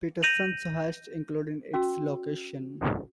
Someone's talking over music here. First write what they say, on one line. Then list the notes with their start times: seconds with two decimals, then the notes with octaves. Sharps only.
Peterson's hoist, including its location.
0.23 G6 A#6 D#7 F7 F#7
1.74 C#4 F#4 E6